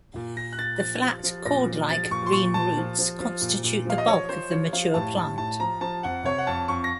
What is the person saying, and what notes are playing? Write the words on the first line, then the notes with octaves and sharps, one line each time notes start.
The flat, cord-like green roots constitute the bulk of the mature plant.
A#2
A#2 A#6
F#6
A#2 A6
F3 A6
F3
F3
A#2 A#6
F3
F3 A6
A#2 C#6
C6
A#2 C#6
A#2 A5
F3
F3
F3
A#2
A#2
F3 F5
D#5
F3 C#5
F3 C5
F3 C#5
F3 F5
A2 A5
A2 A5
A2 A5
F3 A#5
F3 A5
F2 F#5
C3 C#5
F#5
F2 A5
F2 C#6
A#6